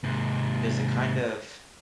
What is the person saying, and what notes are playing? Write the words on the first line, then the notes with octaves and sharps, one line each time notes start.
does it kind of
G#2 C3